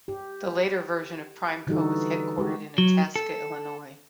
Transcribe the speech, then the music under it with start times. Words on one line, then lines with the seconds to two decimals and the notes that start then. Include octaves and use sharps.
The later version of PrimeCo was headquartered in Itasca, Illinois.
0.08 G4
1.67 D3 E3 G3 D#4 F#4 A4
2.38 G#3 F#4 G4
2.78 F#3
3.16 A4